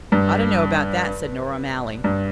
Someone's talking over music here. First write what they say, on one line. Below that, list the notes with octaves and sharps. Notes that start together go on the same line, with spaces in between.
"I don't know about that," said Nora O'Malley.
G2
G2